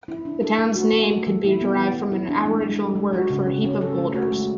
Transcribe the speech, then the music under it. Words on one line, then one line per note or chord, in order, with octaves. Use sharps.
The town's name could be derived from an Aboriginal word for "heap of boulders".
E4
D4
A4
A3
F#4
A3
A4
E3
E4
B3
E3
E3
E4
D4
G#3
G#3
A4
G#3
F#4
C#3
C#4
C#4
A4
A3
F#4
G#3